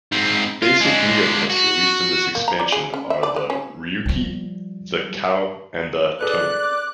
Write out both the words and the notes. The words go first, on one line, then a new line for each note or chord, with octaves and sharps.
Basic Neopets released in this expansion are the Ruki, the Kau, and the Tonu.
G#2 C4
F4
G#3 D4
F#4
A#3
A#5
D5
G#4
C#4
E5
D5
G#3
C#4
F3 G3
G#4 A4 B4 D5 F#6
D6